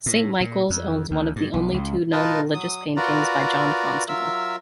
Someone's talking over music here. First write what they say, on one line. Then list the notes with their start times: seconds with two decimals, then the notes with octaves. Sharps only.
Saint Michael's owns one of only two known religious paintings by John Constable.
0.06 A2
0.41 A#2
0.70 F2
1.11 D2
1.36 G2
1.54 B1
1.74 C#2
2.12 D#4 F4 A#4 B4 D#5 A5
2.54 F#3 D#6
2.97 F4 F#4 A#4 B4 D5 A#5
4.08 F#3 F4 A#4 E5 E6